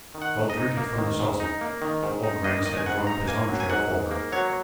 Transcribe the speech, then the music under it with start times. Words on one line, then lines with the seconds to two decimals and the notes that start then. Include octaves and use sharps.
"I'll drink it from the saucer." Old Grannis had drawn up his armchair for her.
0.15 D#3
0.22 F#5
0.36 G#2
0.50 D#5
0.57 D#4
0.77 A#3
0.98 D#3
1.19 G#2
1.40 D#4
1.61 A#3
1.82 D#3
2.03 G#2
2.24 D#4
2.44 A#3 D#5
2.65 D#3 D#5
2.77 G#5
2.86 G#2 F#5
3.07 D#4 A#5
3.28 A#3 G#5
3.49 F#3
3.60 G#5
3.70 G#2 F#5
3.91 G#2
4.11 A#3
4.32 F#3 C#5